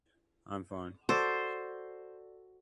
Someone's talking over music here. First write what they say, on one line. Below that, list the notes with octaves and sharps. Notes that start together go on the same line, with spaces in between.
I’m fine.
F#4 A4 C5 D5